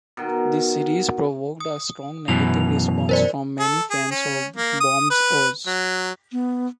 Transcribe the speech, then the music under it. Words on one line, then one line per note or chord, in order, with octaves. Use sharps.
The series provoked a strong negative response from many fans of Baum's Oz.
B2 D#3
D#6
F#2 B2 E3 F7
A#4 C5 D5
A4
G#4
C#4
A#3
D#6
B4
F#3
B3